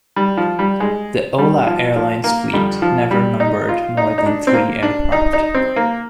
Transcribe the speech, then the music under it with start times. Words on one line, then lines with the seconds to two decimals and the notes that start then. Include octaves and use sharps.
The Hola Airlines fleet never numbered more than three aircraft.
0.16 G3
0.37 F3
0.59 G3
0.80 G#3
1.38 G3
1.67 F3
1.96 F3
2.24 A#3
2.53 F2 D3 G3
2.82 F3
3.11 G3
3.40 D#4
3.69 F4
3.97 D#4
4.18 D#4
4.26 D4
4.47 C4
4.54 A#3
4.83 D4
5.12 D#4
5.33 D#4
5.55 C4
5.76 A#3